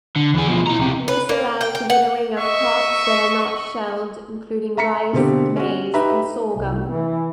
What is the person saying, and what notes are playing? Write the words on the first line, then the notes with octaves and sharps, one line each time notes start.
This allows winnowing of crops that are not shelled, including rice, maize, and sorghum.
D3
E2 G#4
B2 F3
E4 A#5
C#2 C3
B4
A#3
G5
G5
F#5
D#5 E5 C#6
E5 A#5 B6 C#7
B2 D3 A#3 C4 G4
C#4 F#4
D#4 G4 B4 E5 A#5 B5
C2
E3